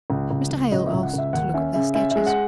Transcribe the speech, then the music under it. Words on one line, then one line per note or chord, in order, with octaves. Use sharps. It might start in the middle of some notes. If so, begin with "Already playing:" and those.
Mr. Hale asked to look at their sketches.
C#2
C#2
C#2
C#2 D#5
E5
C#2
F#5
C#2 E5
D#2 F#5
C#4 E5
C#3 E5
C#4 E5
G#3 E5
F#5